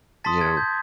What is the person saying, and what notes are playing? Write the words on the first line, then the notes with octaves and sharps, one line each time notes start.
you know
A5 C6 D#6 A6 B6
G#6
G6